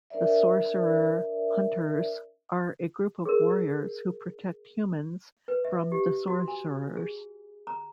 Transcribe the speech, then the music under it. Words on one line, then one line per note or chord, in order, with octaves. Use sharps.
The Sorcerer Hunters are a group of warriors who protect humans from the Sorcerers.
D4 A#4 C5 D5 E5
G#4 A#4
B4
E5
G4
F#4
G#5
G#4
A#5